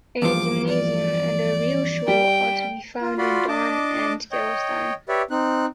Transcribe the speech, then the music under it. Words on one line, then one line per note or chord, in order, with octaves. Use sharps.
A Gymnasium and a Realschule are to be found in Daun and Gerolstein.
E2 G2 F3 D6
D5
G3 G5
F4
F4 F#4 D5 B5 C6
D4 D#5 A5 D6
C#5 D#5 G5
G4 B4 C#5 D5 E5
C4 D#4 F#6